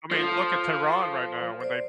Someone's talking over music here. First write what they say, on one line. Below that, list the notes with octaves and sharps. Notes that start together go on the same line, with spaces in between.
I mean, look at Tehran right now when they
F3 A4
C5 D5